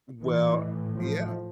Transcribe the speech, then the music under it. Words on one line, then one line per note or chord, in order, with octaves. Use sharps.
Well, yeah
A2 E3
F3